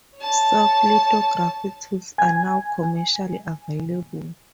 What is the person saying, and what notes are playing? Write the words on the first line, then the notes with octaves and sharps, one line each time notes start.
Soft lithography tools are now commercially available.
C#5 A5
G#5 G#6